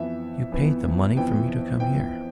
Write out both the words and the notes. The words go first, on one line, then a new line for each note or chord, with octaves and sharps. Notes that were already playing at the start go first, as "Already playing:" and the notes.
You paid the money for me to come here.
Already playing: F2 E3 B3 E5
F2 E3 B3
F2 E3 B3 G5
F2 E3 B3 G5